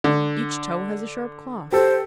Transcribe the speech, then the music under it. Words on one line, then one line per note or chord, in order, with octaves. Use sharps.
Each toe has a sharp claw.
D3
G4 A4 C5